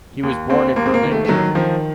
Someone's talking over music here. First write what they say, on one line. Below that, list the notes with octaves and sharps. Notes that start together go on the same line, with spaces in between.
He was born in Berlin, Germany.
D#2
D#2 C4
D#2 A#3
C4
A#3
D#3
A3
A3
D#3 F#3
D#3 F3